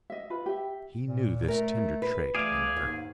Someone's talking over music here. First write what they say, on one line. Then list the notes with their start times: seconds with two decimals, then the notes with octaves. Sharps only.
He knew this tender trait in her.
0.10 D#5 E5
0.30 F4 B4 B5
0.46 G4 E5
1.05 A#2
1.48 A3 A#4
2.02 B4
2.35 E2 A3 G#4 D5 F5
2.77 D#2 G#2